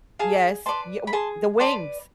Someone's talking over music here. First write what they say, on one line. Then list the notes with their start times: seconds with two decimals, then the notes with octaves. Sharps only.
Yes. Ye w the wings.
0.19 G#4 F5 A5
0.66 B4 D5 A5 C6
1.07 B5
1.13 G#4 A5 C6
1.60 B4 D5 A5 C6